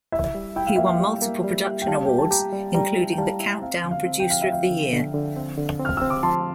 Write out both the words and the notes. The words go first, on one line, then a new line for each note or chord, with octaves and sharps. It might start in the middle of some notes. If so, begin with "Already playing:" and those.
He won multiple production awards, including the Countdown Producer of the Year.
E4 E5
G3
E4 G5
F5
A#3 E5
F5
G3
A#3
G3
G4
G5
G3 F5 A5
G4 G5
A5
G4 G5 A#5
G3
G3 G5 A#5
E4
G5
G3 F5 A5
E4
C4 F5
D3
F5
C4
G5
F3 F5
E5
F3 F5
D3
D3
D3
C4
D3
C4
F6
C4 E6
D6
F3 A5 C6